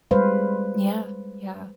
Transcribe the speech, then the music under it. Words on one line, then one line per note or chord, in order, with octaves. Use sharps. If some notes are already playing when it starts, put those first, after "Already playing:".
Yeah. Yeah.
G3 G#3 B4 C5 F5